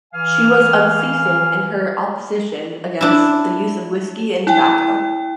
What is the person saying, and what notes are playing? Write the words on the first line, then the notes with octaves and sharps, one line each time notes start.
She was unceasing in her opposition against the use of whisky and tobacco.
E3 F5 G#5 F6
D4 E4
E4 G5